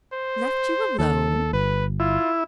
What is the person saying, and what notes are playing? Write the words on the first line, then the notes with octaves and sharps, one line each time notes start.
Left you alone?'
C5
D#2 A4
G1 B4
E4 F4